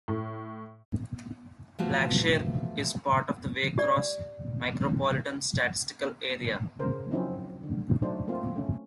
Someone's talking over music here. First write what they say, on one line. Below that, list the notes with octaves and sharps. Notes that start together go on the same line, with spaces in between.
Blackshear is part of the Waycross Micropolitan Statistical Area.
A2
E3 F3 A3 B3 F4 F#4
G4 D5
C#3 A#4 C5
F3 F#3 C4 C#4 D#4 E4
D3
F#3 A3 D4 D#4 C5
A3 A#3 C4 F4
A3 C#4